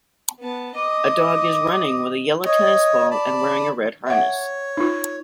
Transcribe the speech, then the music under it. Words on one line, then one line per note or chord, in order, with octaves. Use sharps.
A dog is running with a yellow tennis ball and wearing a red harness.
B3 A5
D#5 D6 D#6
C#5 D#5
D5 A5 B5
C#5 E5 F#5
D#4 F4